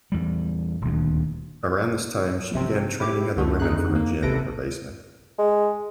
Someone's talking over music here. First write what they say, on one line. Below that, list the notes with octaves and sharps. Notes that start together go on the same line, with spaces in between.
Around this time she began training other women from a gym in her basement.
E2 G3
D#1 D2
A#1 C3 C4
E4 G4 D6
C#2 G2 D3 A3
F2 D3 D#4 G#4 F#6
A#3
A1 C3 A4 B4 A#6 D7
G#3